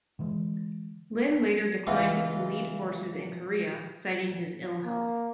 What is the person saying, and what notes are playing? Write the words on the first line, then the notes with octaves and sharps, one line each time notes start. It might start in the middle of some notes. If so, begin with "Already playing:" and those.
Lin later declined to lead forces in Korea, citing his ill health.
D3 E3 G#3
C#2 E3 F4 F#4
A#3